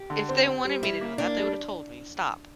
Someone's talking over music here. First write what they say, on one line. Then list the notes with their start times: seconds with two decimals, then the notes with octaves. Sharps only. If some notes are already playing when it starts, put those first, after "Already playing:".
If they wanted me to know that, they would have told me, stop."
Already playing: G4
0.10 D3
0.29 C4
0.46 C4
0.65 G3
0.83 G3 E4
1.01 A#3
1.18 A#3 D4
1.37 G3